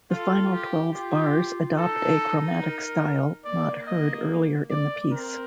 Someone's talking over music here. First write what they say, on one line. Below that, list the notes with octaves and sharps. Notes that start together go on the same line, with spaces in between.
The final twelve bars adopt a chromatic style not heard earlier in the piece.
F4 A4
G4
F4 G4
D#4 A4
A#4
A#3 D5
D#5
D5
C4 A#4